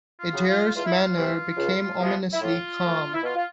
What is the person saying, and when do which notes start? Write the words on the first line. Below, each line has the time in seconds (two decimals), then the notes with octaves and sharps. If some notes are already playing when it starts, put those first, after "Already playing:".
Adair's manner became ominously calm.
0.20 F4
0.33 C#3 F#3 B3
0.47 F4
0.74 E2 F4
0.85 E4
0.98 F4
1.17 C3 E3 A3
1.57 C#2
1.99 C3 F3 G#3 B3
2.33 E4
2.41 A2 F4
2.82 F3 A3
3.14 E4
3.23 B2 F4
3.36 F4